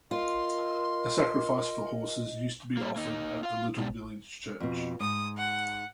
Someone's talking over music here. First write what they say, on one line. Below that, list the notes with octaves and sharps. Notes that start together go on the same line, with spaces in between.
A sacrifice for horses used to be offered at the little village church.
F4 A#4 D#5 C6
G3 A#3
A#3 D#4
F4 F5
B2 G3
F2 B2
G#2 D#6
F#5